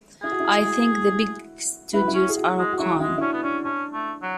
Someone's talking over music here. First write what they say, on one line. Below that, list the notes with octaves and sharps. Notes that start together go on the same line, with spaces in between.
I think the big studios are a con.
E4 G#4
F#4
E4
E4 B4
F#4
E4
C#4
G#4
F#4
G#3
F#4
F#3 E4
G#3 E4
E4
C#4 D4
B3
C#4 D4
C#4 D4
A3
F#3